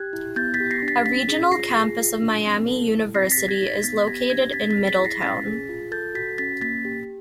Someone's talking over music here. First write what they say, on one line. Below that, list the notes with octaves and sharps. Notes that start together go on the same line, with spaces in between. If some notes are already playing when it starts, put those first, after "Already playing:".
A regional campus of Miami University is located in Middletown.
Already playing: G4 F#6 G#6
E4
B3 G6 A6
A6 B6
G4
A#6 C7
D4
A6 B6
C#4 A6 B6
G#4
F4 A#6 C7
G#4
F4
D4
C4
A4
E4
C4 A#6 C7
A6 B6
G4
G#6 A#6
D#4
A6 B6
B3 A6 B6
B6
G4 G#6 A#6
D4 G#6 A#6
C4 A6 B6
A6 B6
G#4
A6 B6
E4
A#6 C7
C#4 A6 B6
G#4
F4
A4 G6 A6
F#4 A6 B6
C#4 A6 B6
A#3 A6 B6
G4